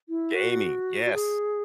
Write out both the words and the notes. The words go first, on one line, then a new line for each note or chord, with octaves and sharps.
Gaming. Yes.
E4
F#4
F#4
G#4